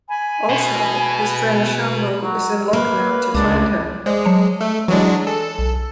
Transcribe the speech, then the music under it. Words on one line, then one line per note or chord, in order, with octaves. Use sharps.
Also his friend Shambhu is in Lucknow to find him.
G#5 B5
B2
F#3
A#3 B4
C#2 D4
G#3 C5 D5 D6
F#3 A5 C#7
A3 E6
E3 F#3 G#3 D4 E4
A4 G#5
B1